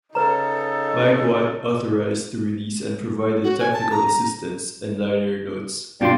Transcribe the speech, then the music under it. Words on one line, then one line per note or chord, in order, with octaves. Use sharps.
Mike Watt authorized the release and provided technical assistance and liner notes.
C#3 D#4 A4 B4 A#5
F#4
G#5
A5
A#5
A#5
G2 B2 G3 D4 F4 C6